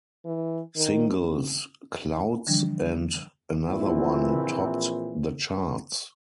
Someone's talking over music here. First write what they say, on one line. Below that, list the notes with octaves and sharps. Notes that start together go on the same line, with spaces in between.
Singles "Clouds," and "Another One," topped the charts.
E3
D#3
D3 E3 F3 G3 D4
A#1 A#2 E3 C4 E4